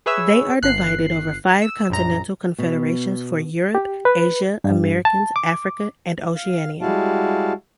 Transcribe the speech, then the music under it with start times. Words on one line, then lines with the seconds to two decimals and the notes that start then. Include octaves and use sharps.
They are divided over five continental confederations for Europe, Asia, Americas, Africa and Oceanian.
0.06 G#4 B4 C#5 E5 E6
0.62 G1 F#6 C7
1.62 E6
1.90 A#1 F#2 A#5
2.59 B2
3.75 G4
4.05 B4
4.64 G2
5.05 A5
5.36 D6
6.35 F5
6.82 G3 G#3 E4 F#4 F5 A5